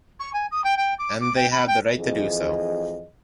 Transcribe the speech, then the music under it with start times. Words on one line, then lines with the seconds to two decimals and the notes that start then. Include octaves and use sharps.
And they have the right to do so.
0.19 C#6
0.33 G#5
0.51 D#6
0.64 G5
0.77 G5
0.98 D6
1.20 D6
1.36 G5
1.51 B5
1.67 G5
1.97 F2 E3 G#4 D#5